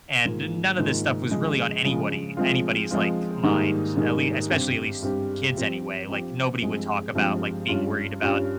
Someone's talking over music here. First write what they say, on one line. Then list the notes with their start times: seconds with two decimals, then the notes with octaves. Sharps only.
and none of this stuff was really on anywody anybody's, like, mind. At le especially, at least, kids anyway. Like, nobody would talk about, like, being worried about
0.25 G#2 D#3 A#3 F4
0.78 G#2 D#3 A#3 F4
1.31 C#3 F3 G#3
1.84 C#3 F3 G#3
2.37 F3 G#3 C4 F4
2.91 F3 G#3 C4 F4
3.43 G#2 D#3 G3 A#3 D#4
3.96 G#2 D#3 G3 A#3 D#4
4.49 G2 G3 C4 G4
5.02 G2 G3 C4 G4
5.56 F3 C4 G4
6.09 F3 C4 G4
6.62 G2 F3 G#3 C4
7.15 G2 F3 G#3 C4
7.68 G2 G3 C#4 F4
8.21 G2 G3 C#4 F4